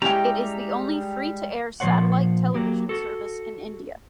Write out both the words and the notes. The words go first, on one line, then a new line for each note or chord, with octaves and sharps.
It is the only free-to-air satellite television service in India.
G3 G#3 C#4 E4 G4 G5 A#5
A#2 F3 F#3 C5 C#5 F#5
F#3 A#3 G4
F#4 A4